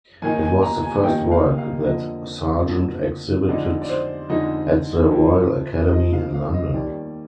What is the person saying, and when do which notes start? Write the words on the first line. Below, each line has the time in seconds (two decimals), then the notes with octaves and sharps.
It was the first work that Sargent exhibited at the Royal Academy in London.
0.22 D#2 D#3 A#3 D#4 G#5
0.43 G#5
0.63 A#5
0.83 G#5
1.03 D#2 D#3 A#3 D#4 G5
1.31 F5
1.58 F5
1.85 F2 D3 F3 A#3 D#5
2.66 F2 D3 F3 A#3
3.49 F2 D3 G#3 D#4 D5
3.82 D5
3.89 C5
4.29 F2 D3 G#3 D#4 D#5
5.11 F2 C3 F3
5.92 F2 C3 F3 D#5
6.13 F5
6.34 F5
6.54 D#5
6.74 D#2 D#3 G3 D5